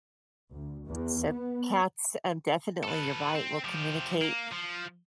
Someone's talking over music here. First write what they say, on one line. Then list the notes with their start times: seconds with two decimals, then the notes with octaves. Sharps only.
So, cats, um, definitely, you're right, will communicate.
0.53 D2
0.87 E2
1.30 B3
2.83 A4 B4
3.34 C4
3.64 F3 G4
4.21 A#3
4.51 F3